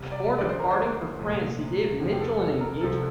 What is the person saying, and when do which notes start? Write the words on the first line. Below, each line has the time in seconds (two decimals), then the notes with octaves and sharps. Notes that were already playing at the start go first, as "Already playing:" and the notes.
Before departing for France, he gave Mitchell an engagement ring.
Already playing: C2 C3 G3
0.12 D5
0.38 D2 D3 F3 A3 D5
0.49 C5
0.60 A#4
0.71 C5
1.19 C2 A#2 F3 A3
2.00 E2 C3 F3
2.12 G4
2.21 A4
2.41 A4
2.60 A#4
2.81 C2 C3 F3 A4